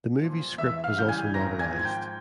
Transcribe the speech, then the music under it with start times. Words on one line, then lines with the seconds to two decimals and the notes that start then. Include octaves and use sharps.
The movie's script was also novelized.
0.20 A#2 F3
0.58 E2 E5 E6
0.84 F5 F6
0.96 C#3 E3 G3 G6
1.09 G#5 G#6
1.34 G#1 A#5 A#6
1.59 G#5 G#6
1.73 G#2 F3
1.79 G#6
1.85 G5 G6